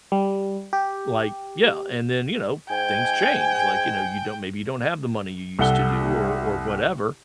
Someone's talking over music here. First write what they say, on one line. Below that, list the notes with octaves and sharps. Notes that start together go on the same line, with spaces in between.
Like yeah, and then, you know, things change, like, you know, you don't maybe you don't have the money you used to do or or whatever.
G3
G4
G#2 G5 G#5
C2 A4 F#5 G7